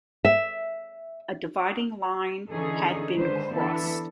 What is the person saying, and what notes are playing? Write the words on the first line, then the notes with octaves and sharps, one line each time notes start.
A dividing line had been crossed.
E5
D3 E3 C#4 D#4 G#4 A4
D3 D#3 G#3 B4 C5
E3 B3 D4 E4 A4